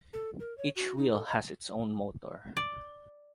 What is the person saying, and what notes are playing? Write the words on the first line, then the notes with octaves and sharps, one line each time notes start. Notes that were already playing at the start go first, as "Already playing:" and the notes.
Each wheel has its own motor.
A4
A#4
C#5
F#4
D#4
A4
D#5
D5